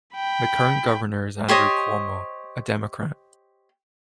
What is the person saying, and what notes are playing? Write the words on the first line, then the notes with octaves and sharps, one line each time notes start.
The current governor is Andrew Cuomo, a Democrat.
G5 B5
G4 C5 C#5 D#5